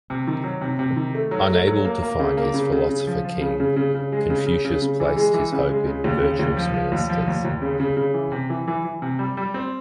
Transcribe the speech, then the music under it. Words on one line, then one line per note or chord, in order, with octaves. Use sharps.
Unable to find his philosopher king, Confucius placed his hope in virtuous ministers.
C3
D#3
F#3
C3
C3
D#3
A3
F#3
A3
F#3
A#3
A#3
C#3
A#3
C#3
C#3
C#3
F3
F3
C#3
C#3
C#3
C#3
G#3
C#3
C#3
C#3
C#3
E3
G#3
E3
C#3
G#3
C#3
D#2
C#3
D#2
F3
F3
D#2
F3
D#2
D#2
C#3
C#3
C#3
E3
C3
E3
E3
E3
C3
G3
G3
C4